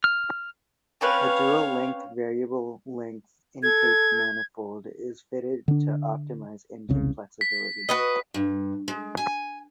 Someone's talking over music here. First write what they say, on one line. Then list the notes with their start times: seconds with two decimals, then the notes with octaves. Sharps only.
A dual-length Variable Length Intake Manifold is fitted to optimise engine flexibility.
0.04 F6
1.01 C4 C#4 B4 C#5 F5
3.63 A4 G#6
5.68 D3 D4
6.89 E1 C2 C#3
7.41 B6
7.89 F#4 B4 D#5
8.34 G2
8.88 G#3
9.17 G#5